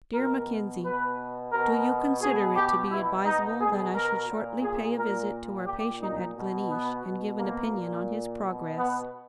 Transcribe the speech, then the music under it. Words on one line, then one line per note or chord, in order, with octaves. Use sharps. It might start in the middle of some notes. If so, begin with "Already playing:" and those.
Dear Mackenzie: Do you consider it to be advisable that I should shortly pay a visit to our patient at Gleneesh and give an opinion on his progress?
B2 A#4
B2 B4
B2 A#4
B2 G#4
G4
B2 E4
D#4
B2 G#4
A#4
A#2
G#4
A#2 A#4
A#2 G4
D#4
B2
B3
B2
A#3
A#2
B2
B3